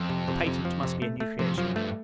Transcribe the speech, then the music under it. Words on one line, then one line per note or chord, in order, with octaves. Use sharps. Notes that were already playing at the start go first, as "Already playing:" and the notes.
The patent must be a new creation.
Already playing: F2
C3
C3
C3
F3
C3
A3
A3
F2 C3
F#2 F3
G2 A3